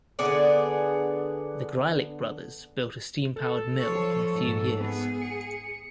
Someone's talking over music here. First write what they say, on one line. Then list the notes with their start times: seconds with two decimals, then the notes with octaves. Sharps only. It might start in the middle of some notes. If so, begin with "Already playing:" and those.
The Greilick brothers built a steam-powered mill in a few years.
0.19 D3 B3 G#4 D5
3.36 A4
3.80 F3 C#5
4.32 G#2
4.80 B3 G#4
5.21 C#7